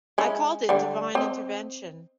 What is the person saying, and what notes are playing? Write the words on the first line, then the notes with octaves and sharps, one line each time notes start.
I called it divine intervention.
G#3 C#4 E4
D3 G3
C4 D#5